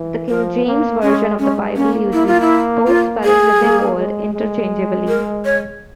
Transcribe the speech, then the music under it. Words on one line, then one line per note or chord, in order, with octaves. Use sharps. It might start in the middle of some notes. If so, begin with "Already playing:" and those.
The King James Version of the Bible uses both spellings of the word interchangeably.
Already playing: E3
F3 A#4
A#3
G#3 C#4
G#3 C#4
A#3 C#4
E4
F4
E4
F4
G#4
A#3
G#3
G#3
A#4
C#5